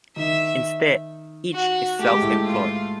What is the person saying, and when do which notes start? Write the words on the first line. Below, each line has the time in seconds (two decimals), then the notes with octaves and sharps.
Instead, each is self-employed.
0.16 D#3 D#4 E5
1.54 F#4
1.99 A3 G4
2.11 G#3
2.22 A2 A3
2.46 F4